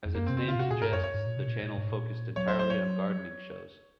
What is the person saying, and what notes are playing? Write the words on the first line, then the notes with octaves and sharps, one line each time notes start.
As its name suggests, the channel focused entirely on gardening shows.
F2
F#2 A#3
C4
C3
C4
C#3 F4
A#2
C3 F#4
A#2 G#4
G#2 A#4
F#2 C#5
C#5
G#2
A#2
C3
A#2
A#2
G#2
A#2
F#3 C#5
C5
C5
C#5